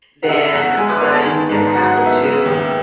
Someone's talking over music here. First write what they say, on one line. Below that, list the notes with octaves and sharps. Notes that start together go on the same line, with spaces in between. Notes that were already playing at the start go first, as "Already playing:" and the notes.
then I'm gonna have to,
F#5
C#3 E5
E5
E2 F#5
G#3 G#5
B4
B3 C#5
A5
D#3
G#2
F#3 F#5
F#5
B3
E5
C#3
D#2